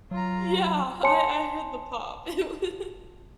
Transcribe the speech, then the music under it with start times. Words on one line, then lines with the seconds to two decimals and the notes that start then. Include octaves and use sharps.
Yeah, I I heard the pop. It was
0.11 F#3 F4 A#5
1.03 C#5 G#5 A5 C6 C#7